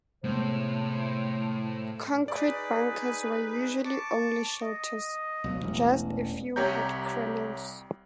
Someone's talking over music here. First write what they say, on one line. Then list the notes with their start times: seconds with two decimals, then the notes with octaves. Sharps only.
Concrete bunkers were usually only shelters; just a few had crenels.
0.24 A2 C3 G#3 B3 C5
2.28 D#4 G#4 B4 D5
3.85 A5 C#6 D6
4.62 D#5
5.44 B1 F#3
5.61 E1 A1
6.56 C2 G4 C#5 A#5 G6